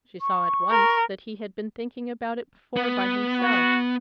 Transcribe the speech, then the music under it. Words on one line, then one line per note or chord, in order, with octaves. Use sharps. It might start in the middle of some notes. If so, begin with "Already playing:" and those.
She saw at once that he had been thinking about it before by himself.
C#6
A#4
B3
F#4